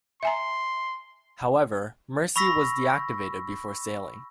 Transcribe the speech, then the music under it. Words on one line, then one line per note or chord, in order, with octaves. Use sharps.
However, "Mercy" was deactivated before sailing.
E5 G#5 A#5 C6
B5 C#6 E6 A#6 B6